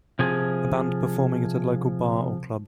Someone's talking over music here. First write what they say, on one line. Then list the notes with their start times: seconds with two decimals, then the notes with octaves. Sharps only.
A band performing at a local bar or club.
0.19 C3 F3 G#4